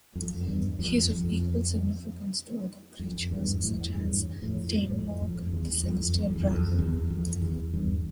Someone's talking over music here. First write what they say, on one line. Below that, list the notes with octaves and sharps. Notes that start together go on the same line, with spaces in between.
He is of equal significance to other creatures such as Tianlong, the celestial dragon.
F2
E2 G2
F2
F2
F2
E2 G2
F2 A2
E2 G2
F2 A2
F2 A2
F2
E2
F2
F2
E2
F2
E2
F2
E2
E2 G2